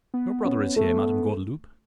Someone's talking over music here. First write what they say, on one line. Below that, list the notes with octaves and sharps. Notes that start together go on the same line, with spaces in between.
"Your brother is here, Madam Gordeloup."
B3
C#4
A3